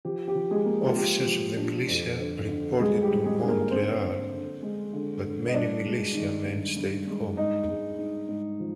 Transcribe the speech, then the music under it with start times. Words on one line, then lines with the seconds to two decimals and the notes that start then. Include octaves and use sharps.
Officers of the militia reported to Montreal, but many militia men stayed home.
0.05 F3 G4
0.28 G4
0.35 F3
0.51 G#3 G#4
0.66 A#3
0.86 F4
0.96 A#3 G4
1.27 F3
1.57 D4
1.88 F2
2.18 D3
2.49 D3
2.80 G3 G#3 G#4
3.03 G4
3.10 G3
3.25 G#3 G#4
3.41 D3 G#4
3.48 A#3 A#4
3.71 D3 C4 C5
4.02 D4
4.33 D3
4.63 G#3
4.93 D3
5.24 D3
5.48 D#5
5.54 G2 D4 D5
5.85 G#3
6.15 D#3
6.46 G2
6.77 G2
7.07 G#3
7.37 G#2 D#4 D#5
7.68 G#3
7.98 G#2
8.29 G#2
8.60 F3